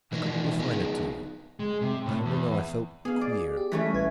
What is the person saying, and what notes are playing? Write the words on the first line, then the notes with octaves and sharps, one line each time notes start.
I couldn't define it to you, I only know I felt queer.
B2 E3 F3 A#3 D4 D#4
B3 D#4 G#4
G#3
C3
A2
E2
B3 G#4 F5
D5
G4
E3 G3 A3 C#4 B6
A#1 B4 G#6